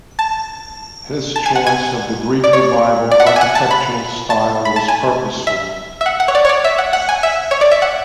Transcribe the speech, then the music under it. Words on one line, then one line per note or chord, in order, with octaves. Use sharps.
His choice of the Greek Revival architectural style was purposeful.
A5
A5
G#5
F#5
G#5
D5
C#5
D5
F#5
E5
G#5
F#5
A5
B5
A5
B5
A5
G#5
E5
E5
F#5
F#5
C#5
D5
C#5
D5
E5
F#5
F#5
G#5
E5
C#5
D5
E5
F#5